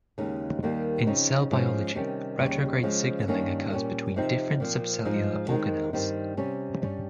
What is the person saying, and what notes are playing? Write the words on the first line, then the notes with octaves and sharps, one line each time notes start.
In cell biology, retrograde signaling occurs between different subcellular organelles.
D#2 C#3 G#3 D#4
D#2 D#3 G3 A#3
C#3 F3 C4 D#4
G#2 F3 G#3 C#4
C3 D#3 G3 C#4
D#2 C#3 G3
C#3 F3 G#3
G2 D#3 A#3 C#4
A#2 G3 C#4
C3 F3 C4 D#4
A#2 F3 C4
G#2 F3 G#3 D#4
D#2 D#3 G#3 C4 D#4
G2 D#3 G3 C4 D#4
C3 G3 C#4
G2 G3 C#4